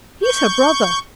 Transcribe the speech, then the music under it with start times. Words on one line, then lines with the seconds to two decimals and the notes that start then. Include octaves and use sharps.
He's her brother.
0.23 C#6 G6